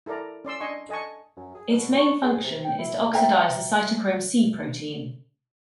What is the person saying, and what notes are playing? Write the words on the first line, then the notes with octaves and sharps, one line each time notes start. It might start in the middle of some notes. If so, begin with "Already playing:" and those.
Its main function is to oxidise the Cytochrome c protein.
E4 A4 A#4 D5 A#5
C#4 D5 C6 E6
D4 D#5 G#5 C6 C#6
A4 D#5 G#5 A5 C#6
F#2
G#4
B2
C#6
G#4
C3
G5
E4
C5 E5 G5 A#5